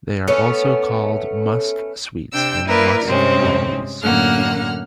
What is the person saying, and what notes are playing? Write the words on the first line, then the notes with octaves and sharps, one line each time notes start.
They are also called 'musk sweets' and 'musk lollies'.
A3 B3 C#4 A4
C3 D4 G5 E6
A#3 E4 A#4 B4 D5
G2 C3 G#3 C4 C#4
F#2 A2 D3 A#3 F#5 F6